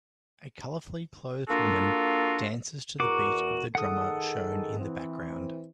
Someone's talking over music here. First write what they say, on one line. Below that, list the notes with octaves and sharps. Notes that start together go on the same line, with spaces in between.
A colorfully clothed woman dances to the beat of the drummer shown in the background.
A#3 D4 F4 F#4 A4
E2 F#4 A#4 D6
D#3 G#4 A4 F#5 D#6
E3 C4